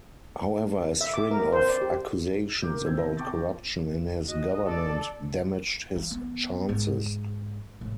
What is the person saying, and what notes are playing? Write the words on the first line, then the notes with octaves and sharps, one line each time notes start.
However, a string of accusations about corruption in his government damaged his chances.
E5
D6
A#4
C5
D5
G4
G4 A#4 D6 G6
G#1 D#3 C4 E6 G6 G#6
E2 C3 A#6
G5 A5 C#6 D6 G6 A6
F3
F#4 D#5
A4 D5
E3
B3
G#2
A2